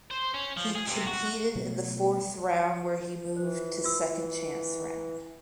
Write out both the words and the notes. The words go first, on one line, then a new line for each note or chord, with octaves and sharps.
He competed in the fourth round where he moved to "second chance" round.
C5
C#4
F3
G#4
C3
F#4
B2 F#3 A3 B3
E3 C5
F4 E6